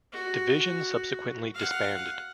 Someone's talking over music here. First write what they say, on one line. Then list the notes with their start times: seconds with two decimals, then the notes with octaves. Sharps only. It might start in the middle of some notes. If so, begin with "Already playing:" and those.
Division subsequently disbanded.
0.12 F#4
1.55 F5 F#5